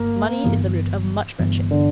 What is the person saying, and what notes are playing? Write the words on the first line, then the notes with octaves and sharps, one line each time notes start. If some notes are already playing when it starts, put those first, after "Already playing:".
Money is the root of much friendship.
Already playing: G1 A#3
G1 G2 E3 B3
G1 G2 E3 B3
D3